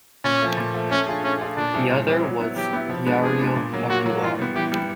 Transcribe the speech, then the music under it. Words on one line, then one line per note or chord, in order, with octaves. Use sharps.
The other was "Diário Popular".
A#2 C#4
F3 A3
A#2
F3 A3
A3 C#4
D4 F4 G#4
A3 C#4
D4 F4 G#4
A#2 D4
G3 C4 E4 G#4
A#2
G3 C4 E4 G#4
F#3
B3 E4
F#3 G4
B3 E4
F3
G#3 B3 D4
F3 G#4
G#3 B3 D4
A#2
F#3 A#3
A#2 F#4
F#3 A#3
E3 F4
G3 B3
E3 G4
G3 B3